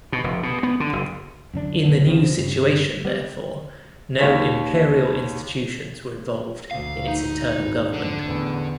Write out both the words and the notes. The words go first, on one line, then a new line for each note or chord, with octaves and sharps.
In the new situation therefore, no Imperial institutions were involved in its internal government.
B2
F1
B2
B3
D3
F#1
F#2 D3 D4
F#1 B1 B3 D4
D#1 C#3 F3 C4
G2 C#3
G3 B3 C4
D#2 C#5 B6
D2 F5
D#4
G#1
F2 G#2 D3
A1 E2